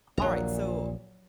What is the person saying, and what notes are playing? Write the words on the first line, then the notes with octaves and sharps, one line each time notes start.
Alright, so,
A#1 D#2 A#2 F#3 A#5